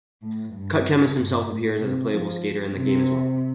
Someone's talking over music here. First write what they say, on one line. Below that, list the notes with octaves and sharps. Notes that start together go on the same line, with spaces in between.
Cut Chemist himself appears as a playable skater in the game as well.
A2
G2
G2
A2
C3
F3
C3